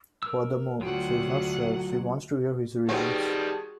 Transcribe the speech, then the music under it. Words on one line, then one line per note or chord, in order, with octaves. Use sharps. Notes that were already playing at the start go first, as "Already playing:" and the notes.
Furthermore, she is not sure she wants to hear his reasons.
A#4 E6
D2 F#3 F4 F#4 F#5 G5
D#3 G3 B3 C4 F#4 G#4 A5